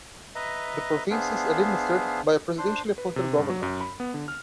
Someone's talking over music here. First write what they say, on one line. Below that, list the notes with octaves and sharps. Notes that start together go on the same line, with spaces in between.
The province is administered by a presidentially appointed governor.
B4 D#5 E5 A#5
B3 D4 G#4 C5 E5 F5
D4 C5 C6
B4
C3
G2
F#3
F#2
B5
B3
D3
F6